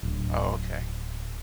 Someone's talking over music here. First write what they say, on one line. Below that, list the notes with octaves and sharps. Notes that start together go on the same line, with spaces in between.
Oh, okay.
D1